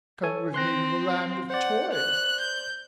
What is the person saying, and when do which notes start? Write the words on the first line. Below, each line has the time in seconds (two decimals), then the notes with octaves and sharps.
Come with me to the Land of Toys.
0.23 A4 C#5 G#5
0.54 C4 C6 F#6 A#6
1.50 C5 D5 F#5
1.93 F#6
2.40 G6